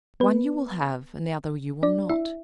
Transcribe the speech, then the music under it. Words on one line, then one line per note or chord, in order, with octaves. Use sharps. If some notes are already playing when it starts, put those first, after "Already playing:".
One you will have, and the other you will not.
B3 B4
D4 D5
E4 E5